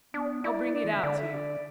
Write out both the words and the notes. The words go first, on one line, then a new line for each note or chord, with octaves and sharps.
I'll bring it out to you.
B3 D4
E4 D5
D4 D5
E3
D3 E5
D3 D5
E5
D5